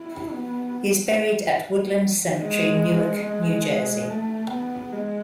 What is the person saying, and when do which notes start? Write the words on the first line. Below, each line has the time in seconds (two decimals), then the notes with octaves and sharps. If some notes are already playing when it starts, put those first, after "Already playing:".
He is buried at Woodland Cemetery, Newark, New Jersey.
Already playing: E4
0.32 B3
2.41 G#3
3.24 G#3
4.09 A3
4.51 B3
4.93 G#3